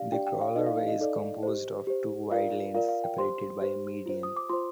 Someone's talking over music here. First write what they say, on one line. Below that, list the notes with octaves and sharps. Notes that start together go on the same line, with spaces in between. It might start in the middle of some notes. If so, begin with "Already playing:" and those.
The crawlerway is composed of two wide lanes, separated by a median.
Already playing: D4 G4 D5 F5
D4 G4 D5 G5
G5
F5
D#4 A4 D5 D#5
F5
F5
D#5
D#4 A4 D5
G4 C5
G4 C5
F4 A#4 D5 F5
F4 A#4 D5 F5
F5
G5
G4 C5 C6
G4 C5
F4 C5
D#6
D6
F4 C5 C6